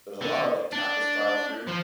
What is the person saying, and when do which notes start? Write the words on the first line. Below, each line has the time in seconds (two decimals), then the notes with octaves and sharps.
there's a lotta, like, tapas style food,
0.21 D3
0.73 D4
1.67 F3